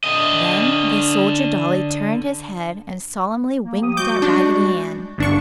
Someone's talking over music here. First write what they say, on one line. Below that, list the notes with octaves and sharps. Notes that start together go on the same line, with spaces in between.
Then the soldier dolly turned his head and solemnly winked at Raggedy Ann.
D3 D#5
A#3
F3 G4 D#6
G3 G#3 F#4 D6 G6
D4
G1 C2 G2 D3 D4 C#6